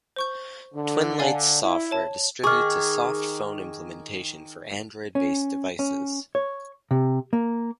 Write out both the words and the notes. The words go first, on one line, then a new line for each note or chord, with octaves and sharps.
Twinlights Software distributes a soft phone implementation for Android-based devices.
C5 C#6 G6
D3
D5 F5 G#5
E4
C#5 A5
D#3 G#4 C#6 D6 F6
C#4
C#4
C#5
C3
A#3